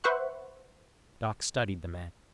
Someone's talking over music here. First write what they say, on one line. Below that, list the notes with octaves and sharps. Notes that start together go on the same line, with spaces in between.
Doc studied the man.
B4 C5 E5 F#5 C#6 F#6